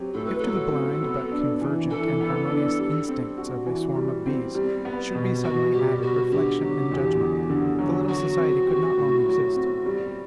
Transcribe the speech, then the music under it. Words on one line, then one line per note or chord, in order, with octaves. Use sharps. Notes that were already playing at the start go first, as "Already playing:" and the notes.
If to the blind but convergent and harmonious instincts of a swarm of bees should be suddenly added reflection and judgment, the little society could not long exist.
Already playing: F#3 C4 G4
A2 A4
B4
A4
F#3
C4
B3
D4
E3
E3 A4
B3
D4
G3
C4
F#4
E3
G3
C4
G3
B3
B2
B2 F#4
G3 G4
B3 F#4
D3 G4
F#3
E2
E2
D3
F#3
F#3 F#4
C4
G4
A2
F#3
C4
G3